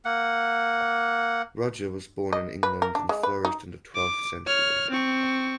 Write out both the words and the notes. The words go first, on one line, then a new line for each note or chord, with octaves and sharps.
Roger was born in England and flourished in the twelfth century.
A#3 F#5
D#5
B4
A#4
D4
G#3
B4
D#4
D6
C#5 F6
C4 C#6